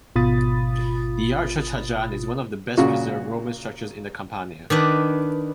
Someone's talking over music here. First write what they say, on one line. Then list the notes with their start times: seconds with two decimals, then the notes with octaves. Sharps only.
The Arch of Trajan is one of the best-preserved Roman structures in the Campania.
0.16 G#1 B2 F4 B5 D#6 A6
2.77 A#2 C#3 F#4
4.70 D#3 D4 B4